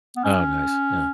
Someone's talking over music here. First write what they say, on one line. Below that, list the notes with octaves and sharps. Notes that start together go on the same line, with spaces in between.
Oh, nice. Yeah.
B3
C#4